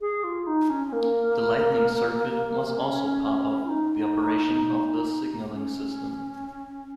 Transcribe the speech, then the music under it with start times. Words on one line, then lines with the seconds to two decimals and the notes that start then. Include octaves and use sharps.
The lighting circuit was also part of the operation of the signalling system.
0.01 G#4
0.23 F4
0.46 D#4
0.69 C#4
0.86 C#4
0.92 A#3
2.77 C#4
3.64 F4
3.68 D#4
5.52 C#4